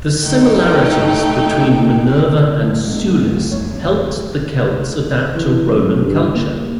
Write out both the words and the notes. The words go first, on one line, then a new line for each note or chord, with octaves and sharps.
The similarities between Minerva and Sulis helped the Celts adapt to Roman culture.
A2 A3 D#4 G5
D3 D#3 G#3 A3 B3
D2 G3
A1 F2 C#5
E3
F#2
G2
A#3